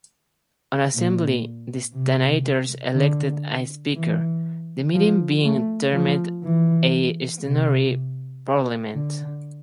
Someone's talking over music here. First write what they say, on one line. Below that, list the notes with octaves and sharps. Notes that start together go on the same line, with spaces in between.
On assembly the stannators elected a speaker, the meeting being termed a Stannary Parliament.
A#2
C3
D3
E3
F3
A3
F3
E3
C3
D3